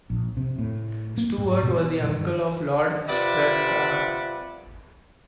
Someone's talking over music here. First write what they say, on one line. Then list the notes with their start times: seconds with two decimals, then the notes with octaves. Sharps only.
Stuart was the uncle of Lord Strathcona.
0.10 A#1
0.37 C3
0.59 A2
1.18 A#3
1.38 G#2
1.63 B2
2.04 G2
3.09 C3 F4 B4 D5 E5 F#5